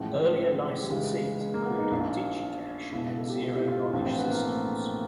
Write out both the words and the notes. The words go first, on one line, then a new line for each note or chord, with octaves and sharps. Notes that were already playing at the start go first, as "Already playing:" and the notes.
Earlier licensees included DigiCash and Zero-Knowledge Systems.
Already playing: A1 A2 F3 G#3
A3
G3
C#2 C#3 E3 G#3
G#3
A#3
B3
D#4
A#1 A#2 F3 E4
C#2 B2 E4
E4
A4
G4
F4
E4
F4
E4
A#1 A2 E3 C4
C4
B3
A#3
A3